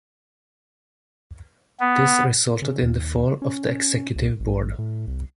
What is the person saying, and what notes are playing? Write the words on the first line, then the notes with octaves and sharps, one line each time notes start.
This resulted in the fall of the executive board.
B3
C#3
D#2
C#4
C2
A1
A2
C2